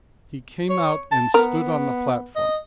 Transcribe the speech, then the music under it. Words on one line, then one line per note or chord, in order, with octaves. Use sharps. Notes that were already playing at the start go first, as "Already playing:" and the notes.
He came out and stood on the platform...
C#5
A5
B3 A#4 A#5
D#5